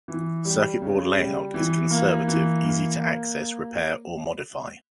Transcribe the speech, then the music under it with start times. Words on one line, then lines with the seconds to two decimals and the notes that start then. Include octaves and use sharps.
Circuit board layout is conservative, easy to access, repair or modify.
0.08 E3
0.45 G3
0.82 C#3
1.18 G3
1.54 E3
1.91 A#3
2.28 E3
2.64 A#3
3.00 A#3